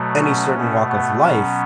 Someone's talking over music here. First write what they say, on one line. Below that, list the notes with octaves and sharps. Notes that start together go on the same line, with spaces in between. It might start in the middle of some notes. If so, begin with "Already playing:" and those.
any certain walk of life
Already playing: B2 F#3 A3
C#4
B2 A3 C#4
B3
B2 F#3 B3 C#4